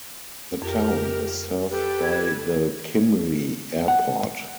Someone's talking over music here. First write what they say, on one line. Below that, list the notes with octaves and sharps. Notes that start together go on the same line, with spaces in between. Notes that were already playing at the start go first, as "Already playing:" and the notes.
The town is served by the Kimry Airport.
F2 G4 A#4
G4 A4 B4
G#6
F#5